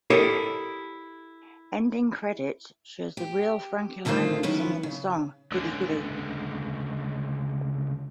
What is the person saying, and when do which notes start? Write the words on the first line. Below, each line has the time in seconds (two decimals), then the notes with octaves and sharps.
Ending credits shows the real Frankie Lymon singing his song Goody Goody.
0.10 E4 G4 A4 A#4 C#5 D#5
3.17 G4
4.05 F2 D3 D#3 A3 F4 C5
4.43 D#3 F#3 B3 C#4 E4 B4
4.83 C#3
5.52 C#2 D3